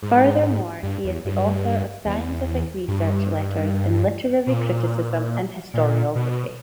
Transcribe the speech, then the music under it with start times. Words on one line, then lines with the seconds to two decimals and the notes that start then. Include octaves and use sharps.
Furthermore, he is the author of scientific-research letters in literary criticism and historiography.
0.02 G#2
0.83 G2
1.04 E2
1.25 G2
2.06 E2
2.88 G2
4.47 B2
4.51 A#2
5.74 A#2
6.15 B2